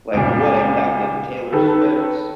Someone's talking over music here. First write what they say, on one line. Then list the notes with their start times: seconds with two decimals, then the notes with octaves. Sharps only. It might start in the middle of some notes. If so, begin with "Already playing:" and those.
Like, what impact did Taylor Swift's,
0.13 C#2 A#2
1.52 D#3 A4 B4